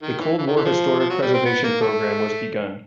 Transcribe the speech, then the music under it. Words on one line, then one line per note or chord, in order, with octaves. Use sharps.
The Cold War Historic Preservation Program was begun.
D#3
E3
E3
D#3
E3
F3
F3
F#3
G3
C4
B3
A#3
A3